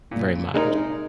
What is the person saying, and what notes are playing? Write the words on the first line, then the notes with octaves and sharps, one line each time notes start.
very much.
A#2
G#3 D#4 A#4